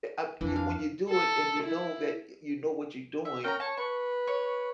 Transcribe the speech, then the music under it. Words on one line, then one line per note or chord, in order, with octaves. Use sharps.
uh, ye a when you do it and you know that you know what you're doing,
F2 E3 A#3 D4
F5
A4
E4
E5
C#4 A#4 G5 A#5
C#5 A5
B4 C#6
C#5